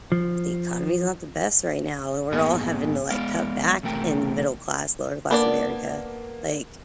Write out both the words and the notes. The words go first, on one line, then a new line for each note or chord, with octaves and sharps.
The economy's not the best right now and we're all having to, like, cut back in middle-class, lower-class America, like,
F3
G#2 A#3 B3 G#4 D#5 G#5
G#3 B3 D5 F5
E2 C3 A3 A#4 G5
A#3 B3 D4 D5